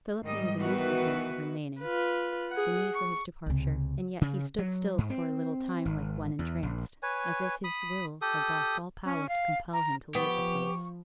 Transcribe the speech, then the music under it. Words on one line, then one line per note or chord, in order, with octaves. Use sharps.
Philip knew the uselessness of remaining; the need for his departure; and yet he stood still for a little time like one entranced, as if his will had lost all power to compel him to leave the place.
G#2 D#3 G3 D#5
D#3 E3 B3 F#4 B4
F4 B4
G#4 F#5
C#6
C#2 C3
C#3
F#3
G#2
C4
G#1
E2
A#1
B4 C#5 G#5
B5 D#6
G4 A4 D#6
C#4
F5
A#5
F3 B3 G4 C#6